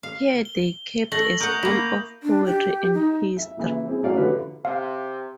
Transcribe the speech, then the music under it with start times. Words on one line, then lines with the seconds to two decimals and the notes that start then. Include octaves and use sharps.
Here they kept a school of poetry and history.
0.03 F5
0.45 G7
1.12 A3 A#6 F#7
1.40 A#4 F#5 C#6 D#6 G6
1.63 A#3 E4
2.23 D4
2.45 G4
2.94 D#4
3.37 E5
3.57 A#2 C#3 E3 E4
3.87 C4 E4 G#4
4.02 A1 F#3 C#4 D5 F5 F#5
4.17 D3 F3 E4 F#4 G4 B4
4.65 C3 F5